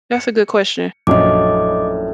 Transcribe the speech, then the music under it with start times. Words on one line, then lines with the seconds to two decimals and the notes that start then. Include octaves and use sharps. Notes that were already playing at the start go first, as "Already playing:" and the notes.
That's a good question.
0.12 C#7
1.07 A#1 F#2 A2 C#5 D#5 D6